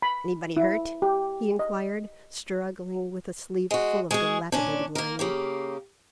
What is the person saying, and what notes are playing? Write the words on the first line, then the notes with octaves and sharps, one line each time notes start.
"Anybody hurt?" he inquired, struggling with a sleeve full of dilapidated lining.
B5
E4
G4
D#5
G#3 F#4
G#3 F#4 G#4
A#2 C#4 D4
A#3 A#4
C#3 A#3 G4